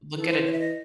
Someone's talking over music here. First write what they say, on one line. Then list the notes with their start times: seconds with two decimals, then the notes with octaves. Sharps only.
look at it
0.16 E3 A4
0.30 C5
0.45 C#5
0.53 E5
0.59 D#5